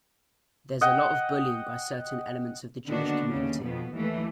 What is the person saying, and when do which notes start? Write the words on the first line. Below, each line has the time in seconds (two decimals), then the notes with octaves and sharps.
There's a lot of bullying by certain elements of the Jewish community.
0.81 D#5 F#5 G5
2.85 D3 D#3 A#3 B3 D4 F#4
3.30 D#2 C#3
3.62 F2 B2 B3
3.94 D#2 E3 A3